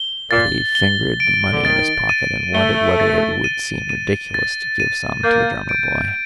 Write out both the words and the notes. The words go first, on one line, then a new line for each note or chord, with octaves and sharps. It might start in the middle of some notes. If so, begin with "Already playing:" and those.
But he fingered the money in his pocket and wondered whether it would seem ridiculous to give some to the drummer boy.
Already playing: G7
A#2 A6
G7
D7
D3
D#3 A6
D#7
A3 G7
A6
D#7
D#7
A6
D#7
A#3 G6
D7